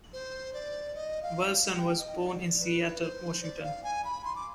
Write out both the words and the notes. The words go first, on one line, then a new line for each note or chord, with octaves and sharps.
Burleson was born in Seattle, Washington.
C5
D5
D#5
F5
G5
D#5
D5
D5
B4
C5
D5
F5
G#5
B5
C6
D6